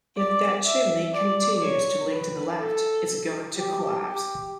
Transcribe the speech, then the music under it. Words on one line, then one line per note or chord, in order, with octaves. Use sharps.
If that chimney continues to lean to the left, it's going to collapse.
D5
E5
D5
C#5
B4
A4
G4
G4